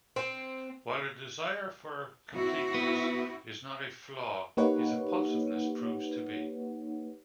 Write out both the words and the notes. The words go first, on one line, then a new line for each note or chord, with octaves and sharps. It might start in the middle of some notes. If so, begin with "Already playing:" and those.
While a desire for completeness is not a flaw, his impulsiveness proves to be.
C4
C4 E4 F#4
B3
A#3 D#4 G4 B4 C#5 F#5